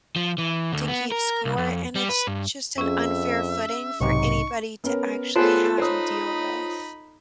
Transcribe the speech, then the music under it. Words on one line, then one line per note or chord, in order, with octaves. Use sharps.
to keep score, and it's just an unfair footing for anybody to actually have and deal with.
F3
E3
D2
B3
A#4
C2
F2
G3
B4
G2
F2 C#4 G#4 E5
B1 G#2 C3 D#4 C#6
B3 C#4 A#4
B3 F4 G#4 A4 C5 C#5 A5 F#6
D#4 C5 C#5 B5 D#6